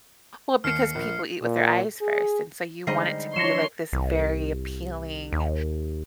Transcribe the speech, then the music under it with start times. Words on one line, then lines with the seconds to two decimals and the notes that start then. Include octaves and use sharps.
Well, because people eat with their eyes first, and so you want it to be, like, this very appealing
0.64 D#2 F6 C7 C#7
0.95 A#1
1.43 A#2
2.01 G#4
2.87 D3 G3 G#3 D#4 C5 D#5 C7
3.36 F3 D4 C#5 C6 A#6 C#7 E7
3.93 C2
5.33 D#2